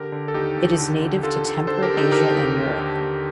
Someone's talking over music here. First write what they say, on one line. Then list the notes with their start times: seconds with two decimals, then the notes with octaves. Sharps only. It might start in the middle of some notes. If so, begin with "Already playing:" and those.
It is native to temperate Asia and Europe.
Already playing: D3 G4 A#4
0.12 D3
0.28 A4
0.34 D#2 D#4 G4
0.56 D#2
0.78 D3
1.02 D3
1.23 D3 F4 A4
1.45 D3
1.67 D3 A4 C5
1.83 G4 A#4
1.90 D3
1.97 D#4 G4
2.12 D3 G4 A#4
2.34 D#2
2.57 D#2
2.79 D3
3.01 D#2